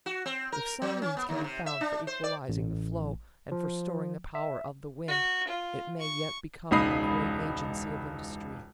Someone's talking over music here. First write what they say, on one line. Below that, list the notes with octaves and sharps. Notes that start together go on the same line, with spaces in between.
If some means can be found for equalizing the flow and for storing the power of the wind, it may yet become a great agency of industry.
F#4
C4
A#4
F#3
C#4
B3
D#2
C3
E5
D4
C5
D5
A1
F3
E5
F#4
F4
C#6
E1 C#2 D#4 B5 D#6 C7